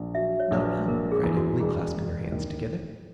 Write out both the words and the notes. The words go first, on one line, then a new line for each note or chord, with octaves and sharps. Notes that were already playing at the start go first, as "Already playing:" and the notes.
'No! no!' cried Emily, clasping her hands together.
Already playing: A#1
F#3 E5
C#5
A#1
B4
A#3 A#4
G#4
E2
F#4
E1 G#4
E1
D#2